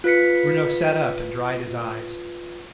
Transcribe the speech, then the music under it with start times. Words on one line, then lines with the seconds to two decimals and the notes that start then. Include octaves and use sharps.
Bruno sat up and dried his eyes.
0.04 F4 B4 B6 C#7